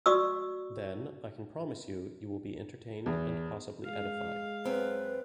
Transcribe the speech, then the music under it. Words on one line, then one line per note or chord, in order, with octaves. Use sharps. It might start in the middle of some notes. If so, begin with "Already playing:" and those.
Then, I can promise you, you will be entertained and possibly edified.
F#4 D5 C#6 D#6 E6
E2
G#3 F5
F#2 C4 B4